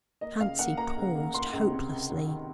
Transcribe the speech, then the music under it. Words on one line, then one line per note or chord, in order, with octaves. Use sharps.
Fancy paused hopelessly.
A#3 D#5
C#2 F5
A#3 F#5
A#3 A#5
C#2
A#3
A#3 C6
C#2
C3
C#2
D#3
D#3